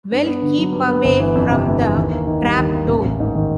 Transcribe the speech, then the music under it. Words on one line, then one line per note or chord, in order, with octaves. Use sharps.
Well keep away from the trapdoor!
G2
B3
D3
F#3
G2
B3
G1
E3
F2
C3
G1
E3
D#2
A#3
D#3
G3
D#2
A#3
A1
A1
G#2
D#3